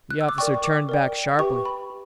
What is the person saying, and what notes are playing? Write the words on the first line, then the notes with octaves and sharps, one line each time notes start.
The officer turned back sharply.
F#6
E6
D6
A#4 D5 G5 C#6
D6
A#4 D5 G5
G4 B4 E5 G5 C#6
B5
G4